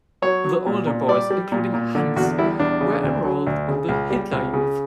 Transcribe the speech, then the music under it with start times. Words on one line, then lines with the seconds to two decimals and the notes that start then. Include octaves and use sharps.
The older boys, including Hans, were enrolled in the Hitler Youth.
0.22 F#3 C#5
0.44 F#3
0.66 A#2
0.87 A#2
1.08 G3 D5
1.31 G3
1.52 A#2
1.74 A#2
1.95 D3
2.16 E2 F#4
2.38 G3 E4
2.59 E2 D4
2.81 C#3
3.03 D2
3.24 F#3
3.47 D2
3.68 C#3
3.89 C#2
4.10 G3
4.32 C#2
4.54 C#3